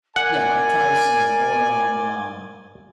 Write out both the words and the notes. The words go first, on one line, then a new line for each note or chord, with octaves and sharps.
Yeah, Mike Tyson or, um, um
A#4 D5 F#5 G#5